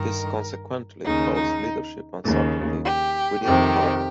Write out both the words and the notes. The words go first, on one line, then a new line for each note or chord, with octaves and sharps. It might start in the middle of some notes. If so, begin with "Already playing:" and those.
This consequently caused leadership uncertainty within the party.
Already playing: G2 D#3 A#4
D#2 C#3 D#4
D#4
D#2 C#3
G4
F2 C3 D#3 G4